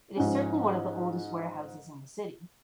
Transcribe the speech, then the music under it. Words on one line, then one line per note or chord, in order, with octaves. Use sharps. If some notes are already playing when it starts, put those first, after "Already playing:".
It is certainly one of the oldest warehouses in the city.
G#2 F3 C#4